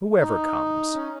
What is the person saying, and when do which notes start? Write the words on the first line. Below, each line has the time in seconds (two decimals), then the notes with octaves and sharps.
Whoever comes.
0.19 D#4
0.93 C#4